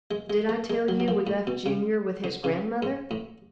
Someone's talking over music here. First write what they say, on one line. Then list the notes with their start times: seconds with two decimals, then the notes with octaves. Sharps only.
Did I tell you we left Junior with his grandmother?
0.11 G#3
0.30 G#3
0.49 A3
0.70 G#3
0.88 F#3
1.00 F#3
1.08 F3
1.27 A2
1.47 B2
1.66 C#3
2.24 D3
2.44 C#3
2.82 G#2
3.11 A2